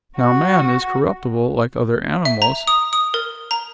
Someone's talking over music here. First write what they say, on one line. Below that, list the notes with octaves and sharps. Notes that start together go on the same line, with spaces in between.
Now man is corruptible like other animals.
F#4
E5
A#5
D#6
D#6
A#4
A#5